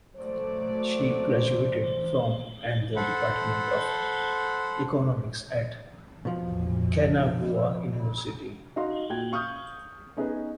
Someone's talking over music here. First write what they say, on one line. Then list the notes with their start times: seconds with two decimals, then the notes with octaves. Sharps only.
She graduated from and the department of economics at Kanagawa University.
0.16 F#3 A3 C5 D5
2.96 A4 C5 F#5 B5
6.25 B2 F3
8.76 D#4 F#4 F5 C6
9.10 A#2 F#4 G5 G#6
9.32 F5 C#6 D#6 F6 G6
10.17 B3 C#4 D#4 G#4 B4 D#5